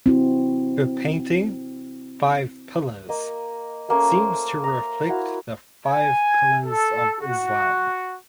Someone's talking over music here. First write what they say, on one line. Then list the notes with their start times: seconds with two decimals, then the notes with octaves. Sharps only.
Her painting "Five Pillars" seems to reflect the Five Pillars of Islam.
0.06 C4 E4 F#4
3.09 A#3 D#5
3.89 A3 A#3 C#4 E5
4.11 C5
4.64 A#5
5.09 E4 F#4 F5
5.86 G#5
6.66 A4
7.21 F#4